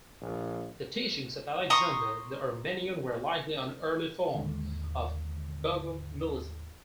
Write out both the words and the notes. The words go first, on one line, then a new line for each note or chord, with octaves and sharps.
The teachings of Alexander the Armenian were likely an early form of Bogomilism.
A#1
A#5 C6 C#6 D#6
D#2 G#2 D3